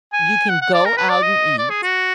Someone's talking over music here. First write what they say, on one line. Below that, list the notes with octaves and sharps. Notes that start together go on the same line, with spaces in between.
you can go out and eat,
G#5
F#5
F#5
D5
A#4
B4
D5
D#5
D5
G#4
F#4